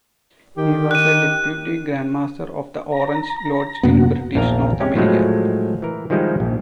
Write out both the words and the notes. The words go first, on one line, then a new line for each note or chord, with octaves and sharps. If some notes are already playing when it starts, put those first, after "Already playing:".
He was a deputy grandmaster of the Orange Lodge in British North America.
D#3 G4
F#6 D#7
A#5
F#2 C3 A#3 B3 F#4
A#1 E2 D4 A#4 F5 A#5
G#3 A#3 C#4 G4
A2 F3 F#3 G#3 A3
E3 A#4
D#3 F3 G3 G#3 D#4 E4
A#1